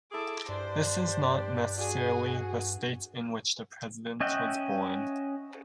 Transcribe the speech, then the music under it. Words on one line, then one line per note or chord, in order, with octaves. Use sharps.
This is not necessarily the state in which the president was born.
E4 G#4 A4 D6
G2 D4 G4 C5 D5
F#4 G#4
C#4 D#5 E5 F#5 G5